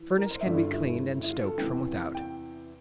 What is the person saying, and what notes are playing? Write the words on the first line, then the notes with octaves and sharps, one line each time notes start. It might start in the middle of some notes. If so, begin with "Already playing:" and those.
The furnace can be cleaned and stoked from without.
Already playing: E3
A#4
C5
E5
G2 D3 D5
E4
F4
E4
E4
F4
A4
E2 C3 E3 G5
G5